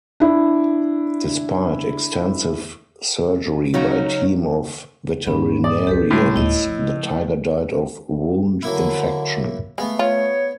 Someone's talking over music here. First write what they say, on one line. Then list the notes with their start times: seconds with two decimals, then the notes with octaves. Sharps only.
Despite extensive surgery by a team of veterinarians, the tiger died of wound infection.
0.20 D4 E4
3.74 C#3 F#3 C#4 D#4 F#4
5.27 G#2 D3 C#4 B5
5.64 D5 D#6
5.87 A1 D2 G4 A4 B4
6.11 A2 G3 G#3 C6
6.36 D1 D#2 E4 D#5
6.67 F3
8.63 D3 F#3 A#3 E4
9.78 G#3 A3 B3 F5
9.99 F4 C#5